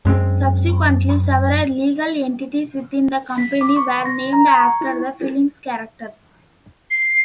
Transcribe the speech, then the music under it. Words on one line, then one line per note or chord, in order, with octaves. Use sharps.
Subsequently, several legal entities within the company were named after the film's characters.
F#2 G#3 B3 C4
B6
D6
C#6
C6
A#6
A#5
G#6
C#6
E4
C7